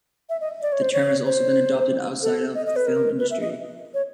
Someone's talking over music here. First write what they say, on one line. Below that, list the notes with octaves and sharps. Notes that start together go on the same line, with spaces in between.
The term has also been adopted outside of the film industry.
E5
D#5
D5
C#5
C5
C#5
C5
A4
D#5
D#5
B4
A#4
B4
E5
D#5
C#5